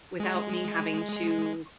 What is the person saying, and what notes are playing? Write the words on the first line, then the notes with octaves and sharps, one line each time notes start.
without me having to,
G#3